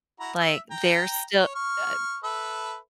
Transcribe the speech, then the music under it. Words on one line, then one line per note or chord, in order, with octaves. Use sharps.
Like, they're still, uh
E4 F#4 A#5
E5
G5 A#5
C#5
C#6 F6
A4 B4 E5